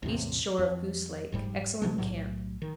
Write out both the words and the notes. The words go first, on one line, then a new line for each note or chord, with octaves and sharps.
East shore of Goose Lake.--Excellent camp.
A1 E2 C3
F2
F1 G#2 G3
C3 E3 F#3 A3
B1 F2 A2 F#3
D#3